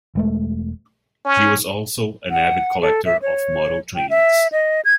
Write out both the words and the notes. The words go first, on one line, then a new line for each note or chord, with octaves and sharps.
He was also an avid collector of model trains.
E1 G#3 A3
C#4
F#5
A4
E5
C#5
G5
E5
D#5
G#6